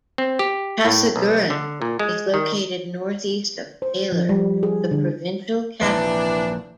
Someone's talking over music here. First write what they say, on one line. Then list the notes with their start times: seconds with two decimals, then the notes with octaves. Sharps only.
Casiguran is located north-east of Baler, the provincial capital.
0.18 C4
0.39 G4
0.85 A2
1.16 B1
1.50 D3
1.82 A#2
1.99 G#3
2.34 D#3
3.82 C5
4.12 F3
4.29 G3
4.63 G#4
4.91 D3
5.81 A#1 D#2 C3 E3 D4